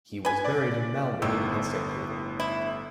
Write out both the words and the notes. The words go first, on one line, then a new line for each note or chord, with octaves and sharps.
He was buried in Malmi, Helsinki.
B4 G#5
D5 D6 A6
G1 A2 D#3 E6
E4